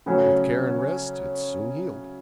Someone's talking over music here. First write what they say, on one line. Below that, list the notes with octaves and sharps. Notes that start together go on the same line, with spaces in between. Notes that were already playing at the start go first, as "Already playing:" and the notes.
With care and rest, it soon healed.
C#3 F#3 A3 C#4